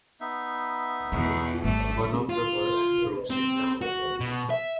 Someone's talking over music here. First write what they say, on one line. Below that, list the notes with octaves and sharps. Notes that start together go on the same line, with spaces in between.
One of the worst crooks in town!
B3 D#4 E5
E2 B2 D3
G#1 G3 A3
F4
C4
F#4
B2
E5